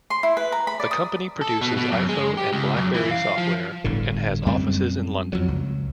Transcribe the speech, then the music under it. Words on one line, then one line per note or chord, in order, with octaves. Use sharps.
The company produces iPhone and BlackBerry software, and has offices in London.
C6
E4
B4
A#5
B5
D5
D#6
A4
B2
B2
F#2
G#3
G4
C#2
F#2
E3
F5
F3
G1 A2 D3
F#2 G3 G#3 C4
F2 F#3
C#2